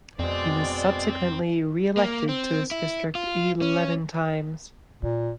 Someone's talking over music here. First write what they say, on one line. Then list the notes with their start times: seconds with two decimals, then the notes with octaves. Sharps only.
He was subsequently reelected to this district eleven times.
0.19 F2 B2 G#3 C4 C5 D5
1.97 A#3
2.29 C4
2.71 E4
3.15 F4
3.62 C#4
5.02 A#2